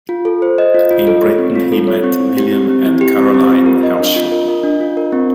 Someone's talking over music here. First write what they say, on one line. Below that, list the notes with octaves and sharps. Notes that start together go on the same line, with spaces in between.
In Britain he met William and Caroline Herschel.
F4
A4
C5
D#5
F4
F4
A4
C#5
C4
F4
A4
C#5
C4
E4
G4
C4
C4
E4
G4
C4
C4
F4
A#4
D#5
D4
F4
A#4
D#5
D4
F4
A#4
C4